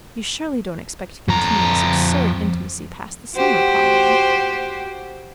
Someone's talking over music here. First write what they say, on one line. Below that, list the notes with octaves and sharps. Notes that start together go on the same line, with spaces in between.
"You surely don't expect to continue this absurd intimacy past the summer, Pauline?"
F2 A#5
F#4 G4 C5